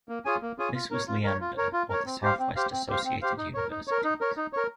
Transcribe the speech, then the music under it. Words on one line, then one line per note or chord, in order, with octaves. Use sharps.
This was Lianda, or the Southwest Associated Universities.
A#3
F4 G#4 C#5 G#5
A#3
F4 G#4 C#5 G#5
F4
A#4 C#5
F4
A#4 C#5
F4
A#4 C#5
F4
A#4 C#5
C4
G4 C5 F5
C4
G4 C5 F5
C4
G4 C5 F5
C4
G4 C5 F5
D#4
A#4 C#5
D#4
A#4 C#5
D#4
A#4 C#5
D#4
A#4 C#5